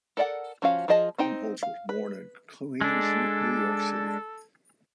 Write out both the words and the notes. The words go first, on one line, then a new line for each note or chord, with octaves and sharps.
Krumholtz was born in Queens, New York City.
A4 A#4 D5 F5 F#5
F3 C#4 F#4 F5
F3 F4 G#4 D#5 A5
C4 D#4 G5
F5
B4
G#3 D4 A4